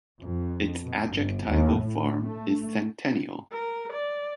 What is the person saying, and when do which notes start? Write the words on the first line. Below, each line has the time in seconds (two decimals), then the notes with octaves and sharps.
Its adjectival form is centennial.
0.22 F2
0.83 B2
1.13 G1
1.47 D#2
1.78 A2
2.25 A3
3.52 A#4
3.93 D5